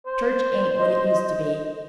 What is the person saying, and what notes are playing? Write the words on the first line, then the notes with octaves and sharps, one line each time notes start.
Church ain't what it used to be.
C5
D#5